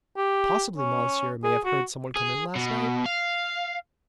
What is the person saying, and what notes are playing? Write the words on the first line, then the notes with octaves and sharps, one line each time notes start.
"Possibly Monsieur may have heard some one come in last night?"
G4
C#4
G#4
F#4
G#4
B2
F5